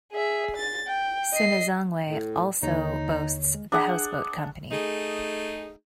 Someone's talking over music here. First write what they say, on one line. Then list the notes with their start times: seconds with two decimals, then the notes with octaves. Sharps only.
Sinazongwe also boasts The Houseboat Company.
0.12 G#4 E5
0.56 A6
0.87 G5
1.33 D#5 C7
2.09 A2
2.63 D#2 D3 D#4 C#5
3.54 G#3
3.72 D4 G#4 F#5
4.71 A3 D#4 G#4